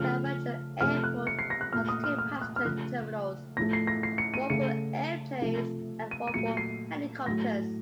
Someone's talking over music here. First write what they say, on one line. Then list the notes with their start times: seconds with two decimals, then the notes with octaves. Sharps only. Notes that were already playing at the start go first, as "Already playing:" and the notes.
Stavanger Airport has two passenger terminals, one for airplanes and one for helicopters.
Already playing: C#3 F3 A3 F6
0.81 C3 F3 A3 F6
1.04 F#6
1.27 C#7
1.39 C7
1.50 A#6
1.61 F#6
1.73 A#2 A3 F6
1.89 D#6
2.04 F6
2.18 F6
2.41 F#6
2.56 F6
2.65 C#3 F3 A3 F#6
3.57 A2 F3 A3 A#6
3.73 C7
3.87 A#6
4.03 C7
4.18 C#7
4.34 D#7
4.50 C#3 A3 C#7
5.41 C3 F3 A3
6.11 D#7
6.28 D#7
6.34 A#2 F#3 A3 C#7
6.57 C7
7.26 A2 F#3 A3 A#6